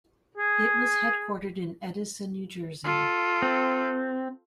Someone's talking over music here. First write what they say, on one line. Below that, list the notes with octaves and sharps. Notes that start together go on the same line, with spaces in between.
It was headquartered in Edison, New Jersey.
G#4
F4 A4
C4